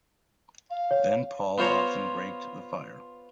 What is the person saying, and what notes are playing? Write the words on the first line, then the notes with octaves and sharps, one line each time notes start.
Then Paul often raked the fire.
F5
C#5
B3 F4 C5 C#5 A#5